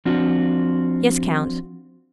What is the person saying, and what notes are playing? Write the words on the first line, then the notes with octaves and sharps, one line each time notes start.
"Yes, count."
F3 C4 D4 F4 F#4